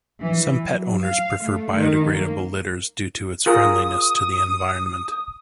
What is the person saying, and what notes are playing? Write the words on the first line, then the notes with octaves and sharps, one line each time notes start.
Some pet owners prefer biodegradable litters due to its friendliness to the environment.
E3
F#3
F5
A3
D#3
A#3
F4 G#4 A#4 D#6